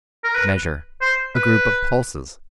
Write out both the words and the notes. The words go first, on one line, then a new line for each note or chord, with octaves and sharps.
Measure: A group of pulses.
A#4
B4
C5
B4